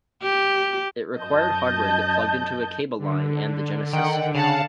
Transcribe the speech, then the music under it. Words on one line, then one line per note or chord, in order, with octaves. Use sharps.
It required hardware that plugged into a cable line and the Genesis.
G4
F#2 D#5 A5 G6
D3
D#3 F#5 G5
C#3 F5 F#5 A5